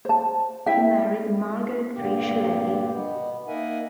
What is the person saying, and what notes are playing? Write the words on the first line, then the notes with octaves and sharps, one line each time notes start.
He married Margaret Riche Levy.
C5 A5
E4 E5 G5
G2 A#2 D3 A#3 G4
B2 B3
A#3 D#4 A#4 E5 F#5 G#5